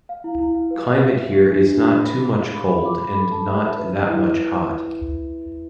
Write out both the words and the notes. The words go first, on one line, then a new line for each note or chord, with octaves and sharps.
Climate here is not too much cold and not that much hot.
F5
E4
E4
F5
B4
E5
E5
B4
G4
D4
D4
D4
B5
B5
F5
F5
B5
B5
D6
B5
A4
A5
E5
E5
B4
B4
E4